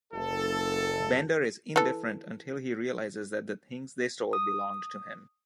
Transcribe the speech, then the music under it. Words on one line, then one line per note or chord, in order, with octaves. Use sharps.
Bender is indifferent until he realizes that the things they stole belonged to him.
F#1 A4
E3 A4
D#6